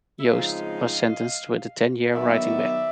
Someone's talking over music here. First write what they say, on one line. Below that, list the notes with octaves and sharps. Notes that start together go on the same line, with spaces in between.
Johst was sentenced with a ten-year writing ban.
E5
C#3 F3 G#3 C4 D#4 D#5 F5
D#3 F#3 B3 D5 E5